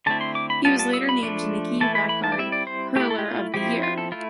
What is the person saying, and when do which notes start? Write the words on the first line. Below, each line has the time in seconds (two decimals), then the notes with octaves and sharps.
He was later named Nicky Rackard Hurler of the Year.
0.06 D3 A3 C4 E4 A5
0.21 C6
0.35 D6
0.50 B5
0.65 G3 B3 F4 A5
0.79 A5
0.94 E6
1.09 B5
1.23 F3 A3 D4
1.80 E3 A3 E4 A5
1.95 B5
2.09 B5
2.24 A5
2.32 D5
2.38 G3 C4 E4 E5
2.52 D5
2.67 C5
2.96 A3 E4 G4
3.10 A4
3.18 G4
3.26 F4
3.54 F3 C4 E4 G4
3.83 F4
3.98 A4
4.12 A3 E4 F4